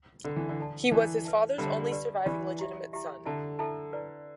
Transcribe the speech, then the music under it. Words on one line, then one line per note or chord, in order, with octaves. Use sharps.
He was his father's only surviving legitimate son.
D3 E4 B4 G5 B5
E3
D3
E4 A4 D5 A5
E3 E4 A4 D5 A5
B4 E5 A5
D3 G3 B4 E5 A5
G4 B4 D5 B5
E3 G4 B4 D5 B5
E4 G4 E5
E4 G4 E5
D3 E4 A4 E5 A5
E4 A4 E5 A5
E4 B4 D5